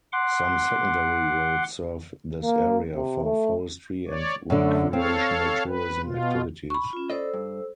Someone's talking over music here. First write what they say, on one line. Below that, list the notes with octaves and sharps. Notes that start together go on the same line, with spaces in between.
Some secondary roads serve this area for forestry and recreational tourism activities.
F#5 C6 D6
A#3
C3
A3
C#5 D5
F#2 D3 A3
C4 A4 C#5 F5
B4
B2 F4
B5 C#6
C#4 F4
A4 C5 D5 D#5 E6
G2